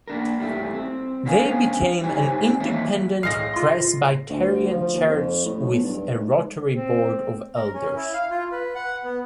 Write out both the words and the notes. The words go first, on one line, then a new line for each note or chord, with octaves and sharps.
They became an Independent Presbyterian church with a rotary board of elders.
A#3 D4 A#4
G2 G3 A3 E4
C4
B3 C#4 D4 C5 F5 G#5
G2 G3 D#4 C5 C#5 G#5
D#3 E3 A#3 C#5 D#5 E5
A2 G#3 F5 A#6 C7
F4 C6
D2
F3
D#2
F2
A2
B1
G2
G#2
C4
A#4
C#4
E4
F5
F4
B4
F#5
B3